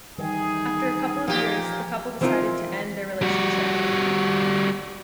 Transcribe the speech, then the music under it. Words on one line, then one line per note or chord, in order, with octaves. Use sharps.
After a couple of years, the couple decide to end their relationship.
D#3 E3 G3 D#4 G#4
A#2 E3 F3 G4
E3 F3 C4 D#4 F4 A#4
G3 F#4